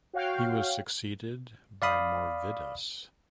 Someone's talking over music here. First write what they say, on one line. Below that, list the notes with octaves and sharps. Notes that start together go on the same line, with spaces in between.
He was succeeded by Morvidus.
F#4 C#5 F5 G5
D5 F5 B5 D#6